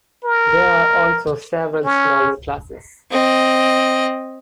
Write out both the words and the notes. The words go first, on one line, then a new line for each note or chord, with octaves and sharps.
There are also several smaller classes.
A#4
C#4
C4 D#5